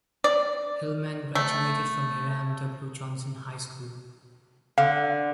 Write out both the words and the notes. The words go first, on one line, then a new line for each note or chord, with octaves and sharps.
Hillman graduated from Hiram W. Johnson High School.
D5
A3
D3 F5